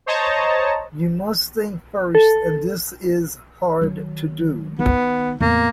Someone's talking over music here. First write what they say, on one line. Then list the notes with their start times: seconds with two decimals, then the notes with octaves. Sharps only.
You must think first and this is hard to do.
0.06 C5 C#5 D#5 A5 A#5
2.15 A4
3.82 D#3 F#3
4.79 D#3 B3 D#4
5.40 E2 A2 A#3